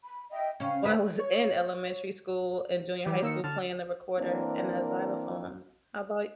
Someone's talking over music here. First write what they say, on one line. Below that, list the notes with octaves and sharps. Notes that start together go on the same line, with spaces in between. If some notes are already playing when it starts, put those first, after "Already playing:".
when I was in elementary school and junior high school playing the recorder and the xylophone. How about
B5
D#5 E5 G5
C#3 C#4 F5
D2 B4 E5
C#5
E3 G3
D#3 A#3 E6 C#7
D3 A5 F6
E3 A#3 C4 D4 A#4